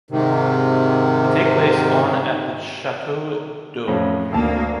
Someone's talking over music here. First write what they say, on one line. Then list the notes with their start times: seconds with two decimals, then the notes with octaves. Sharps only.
They take place on at the Château-d'Œx.
0.11 G#2 C3 D#3
3.88 F2 A2 C#4
4.32 G#1 D2 A#3 A5